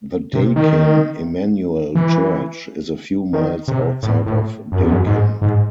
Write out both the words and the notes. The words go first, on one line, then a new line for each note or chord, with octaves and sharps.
The Daykin Immanuel Church is a few miles outside of Daykin.
C3
D#3
E3
D#3
C3
A2
A2
F#2
E2
F#2
G#2
G#2